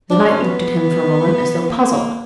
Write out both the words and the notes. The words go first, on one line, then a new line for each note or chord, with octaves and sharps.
The knight looked at him for a moment as though puzzled.
D4
C#4
B3
A#3
A#3